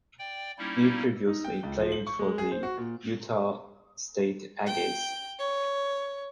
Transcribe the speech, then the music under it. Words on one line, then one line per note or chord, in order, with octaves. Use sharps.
He previously played for the Utah State Aggies.
D5 G5
G3 A#3 C#4 D#4 E4
D#4
G5
C#2
F3
F#7
C#6
G#3
G#4
C5
F#4
A#2
G5
C#5